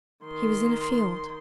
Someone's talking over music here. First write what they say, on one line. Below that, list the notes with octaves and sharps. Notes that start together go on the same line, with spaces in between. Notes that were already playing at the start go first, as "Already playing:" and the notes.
He was in a field.
D#3 C6